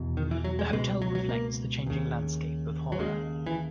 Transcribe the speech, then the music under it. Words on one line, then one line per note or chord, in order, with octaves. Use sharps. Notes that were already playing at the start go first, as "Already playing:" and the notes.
The hotel reflects the changing landscape of Howrah.
Already playing: E2 B2
D#3
E3
F#3
G#3
C#2 B2 G#3
F#3
F#3
A#3
D#2 C#3
F#3
D#2 C#3 G#3
E3